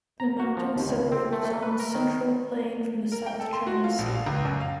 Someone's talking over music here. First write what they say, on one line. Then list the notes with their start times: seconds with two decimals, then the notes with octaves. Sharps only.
The mountains separate Luzon's central plain from the South China Sea.
0.20 A#5
0.40 F#4
0.57 F3
0.76 D#2
0.89 C#2
1.12 C4
1.32 A3
1.45 A3
1.62 B4
1.80 A#4
1.95 D#3
3.12 A#4
3.26 G5
3.40 A4
3.53 C6
3.67 F#4
3.84 F4
3.98 A#1
4.15 F5
4.26 C#2
4.45 F#2
4.60 F5